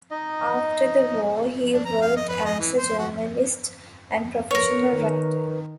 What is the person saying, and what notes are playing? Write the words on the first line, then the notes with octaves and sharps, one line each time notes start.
After the war he worked as a journalist and professional writer.
D#4 D#5
D4
A#5
F5
D#5
B4
D#5
E3
C5
F#4
A#4 B4 C#5
D#3